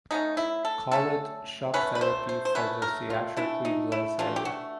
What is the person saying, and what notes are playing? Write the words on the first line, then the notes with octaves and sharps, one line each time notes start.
Call it shock therapy for the theatrically blase.
F#3 A3 C#4 D#4
E4
A4
F#3 A3 C#4 A4
F#3 A3 C#4 B4
B4
C5
C5
C5
F#3 A3 C#4 B4
A#4
F4
E3 A3 D4 E4
D#4
E4
E3 A3 D4 F4
G4
F#4